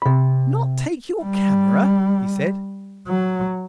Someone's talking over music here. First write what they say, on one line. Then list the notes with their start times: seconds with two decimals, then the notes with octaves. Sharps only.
"Not take your camera!" he said.
0.02 C3 B5
1.23 G3
3.08 F#3